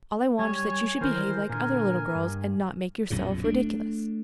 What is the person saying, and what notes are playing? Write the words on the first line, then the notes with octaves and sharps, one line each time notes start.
All I want is that you should behave like other little girls and not make yourself ridiculous.
G3 C#5 G#5
D#3 E3 A#4 C5 G#5
A#2 D3 A#4 G#5
G2
B1 F#2 A#2 C#3
A3 D4